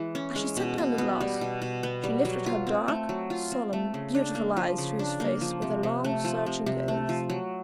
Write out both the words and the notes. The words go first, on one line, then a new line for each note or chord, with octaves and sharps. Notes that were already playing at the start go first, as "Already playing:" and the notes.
As she set down the glass, she lifted her dark, solemn, beautiful eyes to his face with a long, searching gaze.
Already playing: E3 G#3
C#4
G#3
B2
B2
B3
G3
B2
B2
B3
G3
F#3
F4
C4
A3
F#3
F4
C4
A3
C#3
D4
A#3
F3
C#3
D4
A#3
F3
C3
C3
A3
F3
C3
C3
A3
F3
F#3